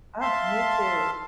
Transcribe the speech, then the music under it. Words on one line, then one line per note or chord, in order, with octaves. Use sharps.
Uh, me too.
E5 F5 A5 C6